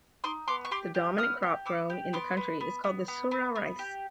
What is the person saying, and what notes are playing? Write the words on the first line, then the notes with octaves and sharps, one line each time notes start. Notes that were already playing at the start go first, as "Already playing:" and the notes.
The dominant crop grown in the country is called the Sura rice.
D#4 C6 D6
B3 C6 D6
C#6
G4 C6 D6
G4
B3 D#6 F6
G4
B3 D6 E6
G4
B3 C6 D6
B3
B3
B3
B3
B3
B3
G4